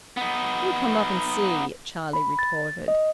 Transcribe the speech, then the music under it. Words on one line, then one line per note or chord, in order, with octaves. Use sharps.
"You come up and see," Charlie retorted.
B3 D#4
B5
A6
D#5